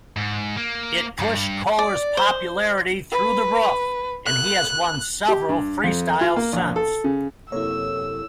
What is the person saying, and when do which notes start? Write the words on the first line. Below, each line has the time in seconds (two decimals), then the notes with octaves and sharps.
It pushed Koehler's popularity through the roof and he has won several freestyles since.
0.17 G#2
0.57 A#3
1.19 G2
1.79 D5
2.17 C5
3.12 B4
4.26 F#6
5.28 G4
5.49 G2
5.84 F2
6.21 F4
6.36 A#3
6.53 A#1
6.76 A4
7.04 C#3
7.52 F#2 C3 A#3 E4 A4 C#5 E6